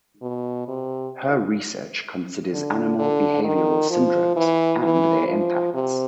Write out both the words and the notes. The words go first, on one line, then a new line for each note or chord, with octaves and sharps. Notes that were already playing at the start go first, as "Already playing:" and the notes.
Her research considers animal behavioural syndromes and their impacts.
B2
C3
D3
D3
D#3
F3
E3
E3
F3
C3